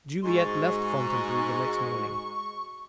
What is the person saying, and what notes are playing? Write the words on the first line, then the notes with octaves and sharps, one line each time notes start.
Juliette left Fontainebleau the next morning.
G#2 G#3 F#4 C#6